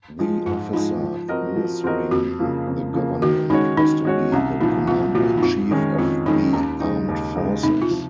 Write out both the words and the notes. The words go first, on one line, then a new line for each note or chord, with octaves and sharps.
The "Officer Administering the Government" was to be the Commander-In-Chief of the Armed Forces.
F3 G#3
G#2 F4
F3 G#3 D#4
F3
C4 F#4 A#4 D#5
F3
C4 F#4 A#4 D#5
F2 F#4
C#3 F3 A#3
F2
C#3 F3 A#3
D#3 F#4
G#3 C#4 D#4 F#4 C#5
D#3 D#4
G#3 C#4 F#4 C#5
C2 C#4
A#2 F3 D#4
C2 F4
A#2 F3 F#4
D#4
F2 F4
D#3 G#3 C#4
F2 F4
D#3 G#3 C#4 D#4
D#2 C#4
C#3 G#3 D#4
D#2
C#3 G#3 D#4
C3 D#4
F4
F3